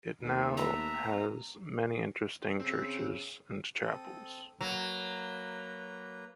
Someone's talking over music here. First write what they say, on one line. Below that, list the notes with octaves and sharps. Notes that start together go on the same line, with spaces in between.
It now has many interesting churches and chapels.
D#2 A3 B3
E5 A#5
C#3 C4
C4 A4 D#6
F#3 A#3 B4 A#5